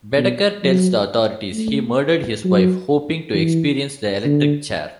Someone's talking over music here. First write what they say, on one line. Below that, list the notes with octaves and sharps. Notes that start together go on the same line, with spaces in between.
Bedeker tells the authorities he murdered his wife, hoping to experience the electric chair.
B2
F#3
A3
F#3
E3
D3